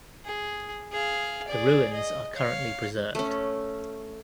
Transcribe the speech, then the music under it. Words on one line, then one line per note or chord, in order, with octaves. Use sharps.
The ruins are currently preserved.
G#4
G#4 F5
G#4 D5
D#5
C#5 F5
A3 C#4